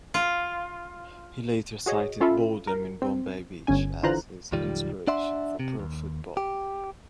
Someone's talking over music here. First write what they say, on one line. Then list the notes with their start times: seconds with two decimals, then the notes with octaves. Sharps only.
He later cited boredom in Bombay Beach as his inspiration for pro football.
0.14 F4
1.86 F#4 G#4 C#5 D#5
2.20 C#4 F4 A4 E5 B5
2.67 A#4
3.02 C4
3.67 G1 C#4 G#5
4.03 D3 E3 F4 C5 A#5 F#6
4.53 B1 F2 D#3 G3 F4
5.07 D4 D5 E5 F#5 C6
5.60 C3
5.80 D#2
6.37 G4